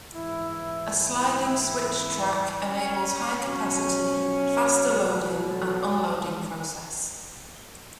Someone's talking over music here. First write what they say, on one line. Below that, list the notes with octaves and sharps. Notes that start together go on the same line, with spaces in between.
A sliding switch track enables high-capacity, faster loading and unloading process.
G#2 E3 E4
E4
C#4
B2 F#3 C#4
B4
A4